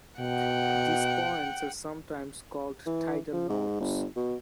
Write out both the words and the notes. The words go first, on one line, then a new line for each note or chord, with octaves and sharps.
These points are sometimes called tidal nodes.
B2 F#5 G5
E3
F3
G#2
G1
B2